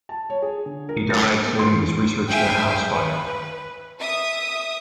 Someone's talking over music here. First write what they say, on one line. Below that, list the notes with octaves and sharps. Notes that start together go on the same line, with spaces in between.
He died saving his research in a house fire.
A5
C#5
G#4
D3
A#4
A6
A#3
C6
E2
G#4 E5 F5 G5 G#5
B4
E5 D#6